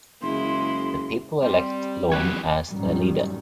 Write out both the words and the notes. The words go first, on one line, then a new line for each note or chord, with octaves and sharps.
The people elect Lorne as their leader.
F#1 C#3 G#3 E4 C6
G3 C4
E3 F#3 G4 B4 C#5
A1 F#2 D#3 G3